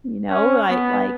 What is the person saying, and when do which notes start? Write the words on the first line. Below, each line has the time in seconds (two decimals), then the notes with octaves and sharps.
you know, I like,
0.30 C#4
0.68 B3